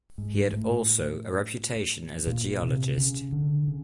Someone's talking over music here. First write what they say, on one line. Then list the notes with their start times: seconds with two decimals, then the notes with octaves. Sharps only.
He had also a reputation as a geologist.
0.18 G#2
0.53 A2
2.27 A#2
2.62 C3
2.97 C#3
3.32 D3
3.68 C#3